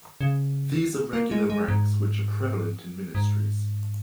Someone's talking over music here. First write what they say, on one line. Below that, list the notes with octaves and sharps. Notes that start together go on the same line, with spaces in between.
These are regular ranks which are prevalent in ministries.
C#3
A#3
G#3
G#3
G#2
G#2